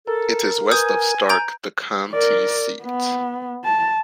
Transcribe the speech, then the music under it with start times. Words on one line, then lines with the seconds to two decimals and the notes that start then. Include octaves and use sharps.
It is west of Starke, the county seat.
0.07 A4 A#4
0.72 B4 G#5 D#6 G6
1.29 A#5 G6 D7
2.11 A#4 D5
2.83 B3
3.64 A5